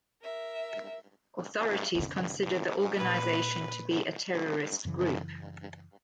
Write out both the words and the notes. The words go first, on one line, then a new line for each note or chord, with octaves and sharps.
Authorities consider the organization to be a terrorist group.
A#4 E5
F1 D3
A#2 B4
F#2 C#3 E3